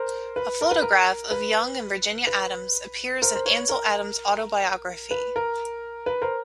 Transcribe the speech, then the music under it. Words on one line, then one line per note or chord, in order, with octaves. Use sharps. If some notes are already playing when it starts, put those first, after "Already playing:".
A photograph of Young and Virginia Adams appears in Ansel Adams's autobiography.
Already playing: A#4 C5
B4
A#4
B4
A#4
B4
B4
A#4 C5
C5
B4 C#5
A#4
B4
A#4
B4
A#4 C5